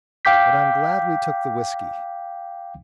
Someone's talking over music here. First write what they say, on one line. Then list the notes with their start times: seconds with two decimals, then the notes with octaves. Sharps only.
But I'm glad we took the whisky.
0.25 F5 G5 D6 G6 B6